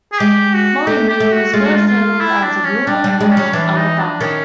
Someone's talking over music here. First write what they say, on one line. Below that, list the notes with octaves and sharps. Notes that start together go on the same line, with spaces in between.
Mollymook was first settled as a rural area of Ulladulla.
G#4
G#3 G4
F#4
A3 G4
G4
A3
F#4
G#3 F4
F#4
F4
F4
E4
D4
C#4
G3 D4
G3
D4
G#3
C#4
F#3
E3 D4
D#4
D4
D#3 C#4